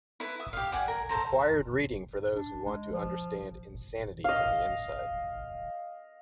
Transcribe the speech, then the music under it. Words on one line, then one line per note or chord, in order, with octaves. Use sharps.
Required reading for those who want to understand insanity from the inside.
E4 B4
E5 D#6
G4 F5
D5 F#5 G#5
A#4
A4 A#4 C5 A#5
D4
G#3
F3
D#5 F5